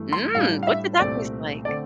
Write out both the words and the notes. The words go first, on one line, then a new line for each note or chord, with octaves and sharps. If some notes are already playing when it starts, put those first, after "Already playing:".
Mm! What did that taste like?
Already playing: G2 E3 A3
C6
A2 G3 D4 F5
F5
E5
C2 A#2 A3 C4 D5
D3 A3 C4 D5